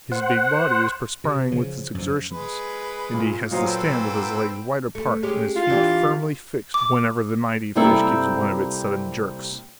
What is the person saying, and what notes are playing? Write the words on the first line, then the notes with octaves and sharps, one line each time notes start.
His big body is perspiring with his exertions, and he has to stand with his legs wide apart and his feet firmly fixed whenever the mighty fish gives one of its sudden jerks.
C5 F#5
C3
C#3 F3
F#2 F3
G#3 B4
A#2
A#2 F#3 C5 D#5 F5
C4 A4 B4
A3
G#3 C#4 G4
F4
E3 D4 G4
D6
C3 G3 A#3 C4 E4 A4